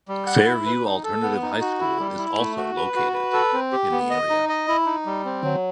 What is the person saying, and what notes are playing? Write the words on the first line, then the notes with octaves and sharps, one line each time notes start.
Fairview Alternative High School is also located in the area.
G3
F#5
E4
B4
D#4
A4
B3
D#4
F#4
E4
G3
E4
A3
F#4
B4
F#4
B4
A4
C4
G4
B3
D#5
D#4
D#5
E4
D#4
G3
C4
F#3